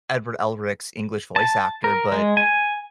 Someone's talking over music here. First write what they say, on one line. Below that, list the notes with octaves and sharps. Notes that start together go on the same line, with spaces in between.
Edward Elric's English voice actor, but
A5
A#4
G#3
G#5